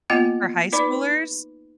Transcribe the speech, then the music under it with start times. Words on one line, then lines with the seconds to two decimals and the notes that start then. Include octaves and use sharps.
for high schoolers
0.10 A#3 B3 F4 D#5 F#5
0.73 D#4 B4 D5 B5 D6